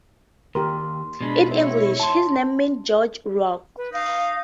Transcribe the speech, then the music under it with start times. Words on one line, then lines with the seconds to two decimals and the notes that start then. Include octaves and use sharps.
In English, his name means George Rock.
0.55 D#2 G4 A#4 C6
1.21 B2 G#3 D4 B5
1.51 D#4 E4 C#5
2.00 A5 C6
3.77 B4
3.93 D#4 F5